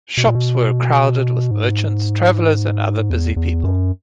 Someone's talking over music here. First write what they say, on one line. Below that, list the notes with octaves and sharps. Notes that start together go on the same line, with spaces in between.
Shops were crowded with merchants, travellers and other busy people.
B2
A#2
B2
G#2
E2
E2
F#2